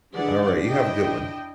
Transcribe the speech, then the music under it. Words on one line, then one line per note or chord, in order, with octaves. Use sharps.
Alright, you have a good one.
D3 E3 D4 G#4 D5 F#5
D4 E4 D#5 G5